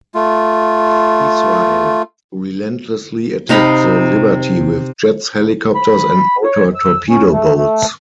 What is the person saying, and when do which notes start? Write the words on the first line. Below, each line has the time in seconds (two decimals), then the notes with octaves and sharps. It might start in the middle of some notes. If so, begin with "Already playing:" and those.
Israel relentlessly attacked the "Liberty" with jets, helicopters, and motor torpedo boats.
0.15 A3 F4
3.49 C3 D#4 F5 B5
5.75 B5
6.44 C#5
6.75 E6
7.10 C#4
7.32 A3
7.57 A3